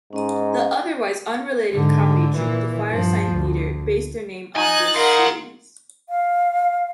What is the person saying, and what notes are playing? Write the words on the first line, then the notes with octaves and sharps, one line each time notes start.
The otherwise-unrelated comedy troupe The Firesign Theatre based their name on this series.
G#2 C#4 D#5
G#2 D3
A#2 E3
G2 F3
D2
D#4 G#5 F#6 A6
A#4 F5 F#5 B5 C6
F5